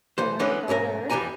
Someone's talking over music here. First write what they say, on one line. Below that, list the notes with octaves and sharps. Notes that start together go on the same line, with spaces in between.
I have a daughter
B1 E3 C5
D3 E3 G#3 B3 C#4
B1 G#2 C#4 A#4
F2 E3 G3 G4 G#5 A#5